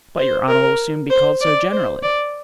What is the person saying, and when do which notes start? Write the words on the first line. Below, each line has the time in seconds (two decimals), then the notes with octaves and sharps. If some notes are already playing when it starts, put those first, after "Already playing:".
"But your honor will soon be called so generally."
0.18 C5
0.48 A#4
1.10 C5
1.41 D5
1.72 C5
2.02 D5